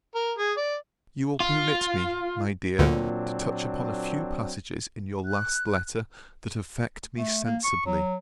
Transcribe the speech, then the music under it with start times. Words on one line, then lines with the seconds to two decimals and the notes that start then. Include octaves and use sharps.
You will permit me, my dear, to touch upon a few passages in your last letter, that affect me sensibly.
0.15 A#4
0.38 G#4
0.57 D5
1.40 F4
2.79 D2 A#2 D3 F#3 C4 D4
5.26 F#6
7.17 A3
7.45 A#3
7.64 C#6
7.85 F#3